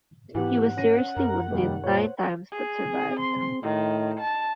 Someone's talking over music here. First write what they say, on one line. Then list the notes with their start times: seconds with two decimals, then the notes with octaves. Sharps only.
He was seriously wounded nine times but survived.
0.35 G#2 E3 B3 G4 F#5
0.77 C#4 A#6 D#7
1.17 F#2 A#4
1.51 F1 D#2 D#3 G3 G4
1.84 A#2 C5 C#5
2.51 G#4
2.89 C4
3.20 C6
3.62 A2 D#3
4.20 A5